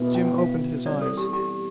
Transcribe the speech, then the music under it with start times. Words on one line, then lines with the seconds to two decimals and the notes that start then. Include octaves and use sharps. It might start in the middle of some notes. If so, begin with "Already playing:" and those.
Jim opened his eyes.
Already playing: B2 B3 E4 B4
0.15 G5
0.38 F5
0.86 C3 E3 G3 C4 D5
1.02 A4
1.17 G4
1.33 G4